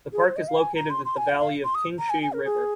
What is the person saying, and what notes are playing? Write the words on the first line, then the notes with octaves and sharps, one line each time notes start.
The park is located at the valley of the Qingshui River.
G#4
C5
D#5
F5
G#5
A#5
C6
C6
G#5
F5
F5
C6
D#6
A#5
G#5
G#5
A#4
G#4